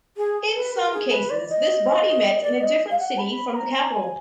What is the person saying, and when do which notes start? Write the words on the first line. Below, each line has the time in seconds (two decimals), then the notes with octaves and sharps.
In some cases, this body met in a different city from the capital.
0.17 G#4
0.55 B4
0.75 A#4
0.93 G#4
1.12 B4
1.30 D5
1.49 D#5
2.42 D5
2.61 D#5
2.91 F5
2.99 F#5
3.18 B5
3.55 A#5
3.92 G#5